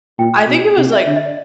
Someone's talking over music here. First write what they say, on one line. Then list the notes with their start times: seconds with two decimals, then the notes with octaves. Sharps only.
I think it was like
0.19 A#2 G5
0.48 B2
0.77 C3 F#5
0.92 E5
1.07 D3 E5
1.16 D#5
1.26 D5